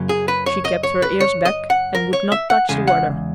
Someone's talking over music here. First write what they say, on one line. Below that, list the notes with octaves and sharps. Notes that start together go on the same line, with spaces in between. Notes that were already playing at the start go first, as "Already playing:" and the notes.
She kept her ears back and would not touch the water.
Already playing: F#2 C#3 F#3 A#3
G#4
B4
C#5
D#5
C#5
B4
C#5
D#5
F#5
A#4
C#5
E5
F#5
E2 C#3 G#3 G#5
F#5